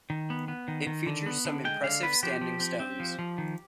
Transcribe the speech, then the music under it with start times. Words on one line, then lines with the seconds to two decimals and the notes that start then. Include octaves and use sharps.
It features some impressive standing stones.
0.10 D#3
0.30 B3
0.48 B3
0.68 D#3
0.87 D#3
1.06 D3
1.26 B3
1.45 D3
1.65 G#3 G5
1.83 D3 F5
2.03 B3 B4
2.23 F3 G4
2.41 F3
2.60 C4
2.80 C4
3.00 F3
3.19 F3
3.38 D#3